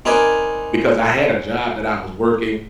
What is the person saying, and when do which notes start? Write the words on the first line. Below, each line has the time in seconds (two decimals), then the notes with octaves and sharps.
because I had a job that I was working,
0.05 C4 D#4 A#4 B4 D5 G#5